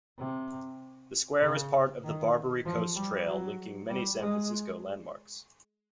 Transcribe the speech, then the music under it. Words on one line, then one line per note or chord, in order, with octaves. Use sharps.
The square is part of the Barbary Coast Trail, linking many San Francisco landmarks.
C3
C#3
D#3
F3
G3
F#3
G3
G#3